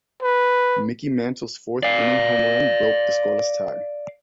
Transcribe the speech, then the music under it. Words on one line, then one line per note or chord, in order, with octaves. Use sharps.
Mickey Mantle's fourth-inning home run broke the scoreless tie.
B4
D5 F5